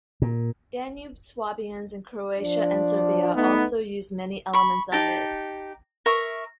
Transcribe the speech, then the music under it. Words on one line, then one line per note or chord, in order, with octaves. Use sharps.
Danube Swabians in Croatia and Serbia also use many elements of it.
A#2
F3 D4 D5
A3 B3 D#4
B5 C#6
D#4 G4 A5
A#4 E5 C#6